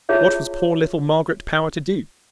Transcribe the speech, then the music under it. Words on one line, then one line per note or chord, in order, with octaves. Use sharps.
What was poor little Margaret Power to do?
E4 F4 G#4 C#5 E5